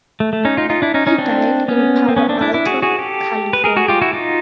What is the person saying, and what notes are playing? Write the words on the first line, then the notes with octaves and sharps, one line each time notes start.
He died in Palo Alto, California.
A3
A3
C#4 D#4
D#4 F4
D#4 F4
D4 E4
C#4 D#4
C#4 D#4
C4 D4
B3 C#4
C4
B3 C#4
C4 D4
D4 E4
D4 E4
F#4 G#4
F#4 G#4
G4 A4
B4
G#4 A#4
F#4 G#4
F4 G4
E4 F#4
D#4 F4